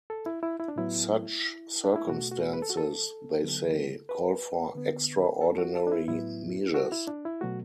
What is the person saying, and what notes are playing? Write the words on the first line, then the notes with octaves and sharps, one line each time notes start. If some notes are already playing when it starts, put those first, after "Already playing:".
Such circumstances, they say, call for extraordinary measures.
A4
E4
E4
E4
D4
A2 F#3 B3 E4
D4
E4
B2 A3 F#4
F#4
B4
A4
F#4
A4
D3 F#3 B3
B4
D3 B3
A4
F#4
A4
D4
E4
A2 F#3 B3 E4
F#4
E4
D4
E4
B2 F#3 A3 F#4